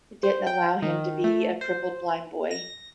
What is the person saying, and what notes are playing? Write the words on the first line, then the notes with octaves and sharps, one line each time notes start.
didn't allow him to be a crippled blind boy.
C5
G5
D#3
A3
C5
A#6